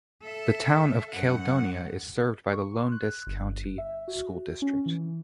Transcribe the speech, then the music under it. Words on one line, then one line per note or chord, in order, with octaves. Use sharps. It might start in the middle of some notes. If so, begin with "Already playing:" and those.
The Town of Caledonia is served by the Lowndes County School District.
A4 E5
F#2 F#5
C#6
C6
F#6
G1
E5
F#4
C#4
E3